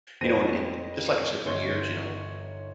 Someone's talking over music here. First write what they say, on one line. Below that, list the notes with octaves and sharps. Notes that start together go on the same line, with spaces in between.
You know, and and d just like I said for years, you know,
F2 B4 C5 A#6 D#7
G1 D#4 C#5 C6 G7